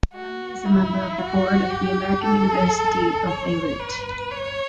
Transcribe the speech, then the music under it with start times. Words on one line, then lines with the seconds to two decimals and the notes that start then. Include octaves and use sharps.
Bellamy is a member of the Board of the American University of Beirut.
0.13 F#4
0.66 E4
1.18 F#4
1.70 G4
2.23 A4
3.27 C#5
3.79 B4
4.31 C#5